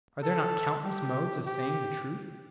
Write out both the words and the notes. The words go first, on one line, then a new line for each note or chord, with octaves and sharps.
Are there not countless modes of saying the truth?
A4
G4
G4